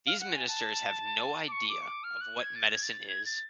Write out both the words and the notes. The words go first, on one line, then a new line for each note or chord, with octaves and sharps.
These ministers have no idea of what medicine is.
F5
F#5
G#5
A5
D6
C#6
D6
C#6
D6
F6
F#6
G#6
A6
G#6
A6
G#6
A6